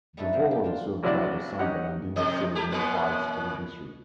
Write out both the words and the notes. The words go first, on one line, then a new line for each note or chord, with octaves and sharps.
Devore is served by the San Bernardino City Unified School District.
G3 A3 D#4 E4 A4 B4
F3 A#3
G4
D4 F4
A#1 C3 F#3 E4 D5
C#4 D#4 G4 F#5
F2 C3 D#5
G#3 G4
F#2 B2 A#3